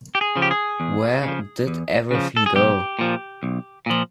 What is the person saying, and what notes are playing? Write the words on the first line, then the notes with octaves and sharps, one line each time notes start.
Where did everything go?
G4
G#4
C#3 F3
G4
G#4
E2
C#3 F3
E2
C#3 F3
A4
G#4
B1 G4
A#2 F3
B1
A#2 F3